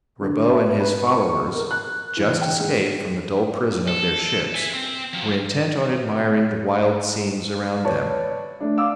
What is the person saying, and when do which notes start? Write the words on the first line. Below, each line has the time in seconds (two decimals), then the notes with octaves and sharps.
But Ribaut and his followers, just escaped from the dull prison of their ships, were intent on admiring the wild scenes around them.
0.21 D3
0.51 E5
0.80 B4
1.07 C#6
1.55 A#4
1.71 F#6
2.17 E3
2.41 G5
2.60 G#2
3.88 A4
4.55 E5 G#5
4.74 C4
5.13 F3 F#3
7.85 B4 C#5 D5 A5
8.60 A3 D4
8.78 F5 D6 E6